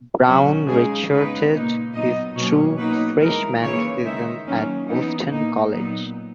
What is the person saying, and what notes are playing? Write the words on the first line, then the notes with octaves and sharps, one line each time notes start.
Brown redshirted his true freshman season at Boston College.
B2 F#3 C#4 F#4
C#3 G#3 D#4 G#4
C#3 G#3 B3 D#4 B4
A#2 A#3 D#4
A#2 F#3 B3 D#4 D#5
B2 F#3 A#3 C#4 C#5
B2 F#3 A#3 D#4 B4
E3 G#3 D#4 A#4
C#3 E3 A#3 C#5
D#3 G#3 D#4 E5
D#3 F#3 A#3 C#4
E3 B3 D#4
A#2 A#3 D#4
A#2 F#3 B3 D#4